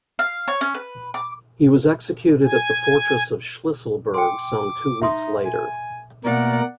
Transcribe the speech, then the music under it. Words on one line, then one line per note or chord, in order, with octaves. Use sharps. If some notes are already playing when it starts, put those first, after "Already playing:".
He was executed at the fortress of Shlisselburg some two weeks later.
F5
C#5
C#4
B4
D6
G#5
G5 G#5 C6 D6
D#4 E5 C6 D#6
G#5
B2 A3 A#3 A#4 D5 F#5